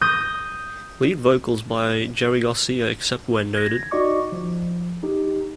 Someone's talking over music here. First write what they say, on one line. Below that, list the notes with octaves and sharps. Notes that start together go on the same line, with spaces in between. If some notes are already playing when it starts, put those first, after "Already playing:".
Lead vocals by Jerry Garcia, except where noted.
D#6 G6 A#6 D#7
G#6 A#6
D#4 F#4 D5 D#5 C#6 D6
F3
D#4 G4